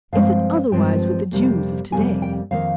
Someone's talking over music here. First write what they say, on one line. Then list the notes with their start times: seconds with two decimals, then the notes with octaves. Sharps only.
Is it otherwise with the Jews of to-day?
0.12 G2 F3 G#3 C4 F5
0.72 G2 F3 G#3 C4 G5
1.32 F2 C3 G3 A#3
1.92 F2 C3 G3 A#3 G#5
2.22 G5
2.51 F2 D#3 A#3 F5